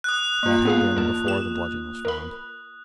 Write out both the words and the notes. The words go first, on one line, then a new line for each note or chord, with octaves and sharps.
That had been before the bludgeon was found.
D#6 F#6
A#3 F4
B3 G#4 F5
E2 A#4 A5
G4 E7
A#4 B5